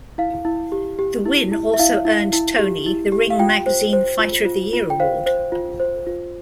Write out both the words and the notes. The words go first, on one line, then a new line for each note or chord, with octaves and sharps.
The win also earned Toney the Ring Magazine Fighter Of The Year award.
E4 F5
E4
G4
G4
E4
E4
E5
E4 F5
E4
E4
G4
E4
G4
F5
F4 G5
C5
C5
F4
F4
F4
G5
C5 F5
C5
F4
C5
F4